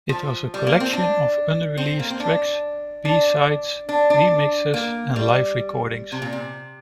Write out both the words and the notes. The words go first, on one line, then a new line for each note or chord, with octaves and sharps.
It was a collection of unreleased tracks, b-sides, remixes, and live recordings.
F3
G3
A#3
C4
D4
C4
A#3
C4
D4
D4
D4
D4
A#3
G3
C3
A#2
C3